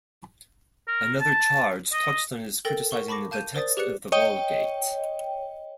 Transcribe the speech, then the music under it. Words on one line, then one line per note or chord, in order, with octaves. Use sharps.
Another charge touched on his criticizing the text of the Vulgate.
A#4
A5
D#5
A4 A#4 G5 A6 A#6
A#4 F#5 C#6 G7
A5 B5 C#6 D6 A#6
F5 A5 G6 D#7
A#4 C5 D5 D#6 A6
G4 G#4 B4 D5 F#6 C#7
C#5 D#5 G5